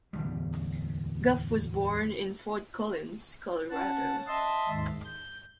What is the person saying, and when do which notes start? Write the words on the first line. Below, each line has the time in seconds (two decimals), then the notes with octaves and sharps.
Goff was born in Fort Collins, Colorado.
0.13 D1 E2 D3 G3
3.70 C#4 F#5 A5
4.27 D#5 E5 A5 C6
4.69 D#2 G#2
5.05 G6